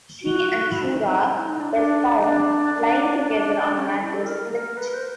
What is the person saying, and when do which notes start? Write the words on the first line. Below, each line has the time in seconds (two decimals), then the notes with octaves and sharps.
She and Shura were found lying together on a mattress in the kitchen.
0.22 F#4
0.72 E4
0.82 D4
0.89 D#4
1.06 D#4
1.36 E4
1.48 D#4
1.60 D4
1.73 D4
2.19 D#4
2.24 D4
2.75 D4
3.75 C#4
3.88 D4
4.02 E4
4.14 A4
4.26 A#4
4.52 A#4
4.77 B4
4.94 C5